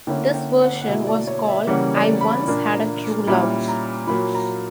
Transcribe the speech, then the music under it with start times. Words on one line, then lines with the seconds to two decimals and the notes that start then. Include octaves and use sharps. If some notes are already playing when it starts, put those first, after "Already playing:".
This version was called "I Once Had a True Love".
0.07 D3 A#3 C#4 E4 G5
0.34 G5
0.60 F#5
0.80 F#5
0.87 B2 A#3 E4 E5
1.07 D5
1.27 C#5
1.48 E5
1.67 C#3 E3 G3 A#3 C#4 F#5
1.94 D5
2.21 B5
2.47 A#2 A#3 D4
3.27 A#2 G3 C#4 E4 B5
3.68 A#5
4.07 A#2 F#3 A#3 B5
4.35 A#5